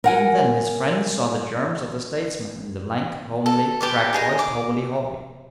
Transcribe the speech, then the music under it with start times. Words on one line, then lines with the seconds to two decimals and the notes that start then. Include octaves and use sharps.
Even then his friends saw the germs of the statesman in the lank, homely, crack-voiced hobbledehoy.
0.04 A#4 F#5 G#5
3.46 A4
3.81 G4 B4 D5
4.13 D#4 G#4 A#5
4.39 D6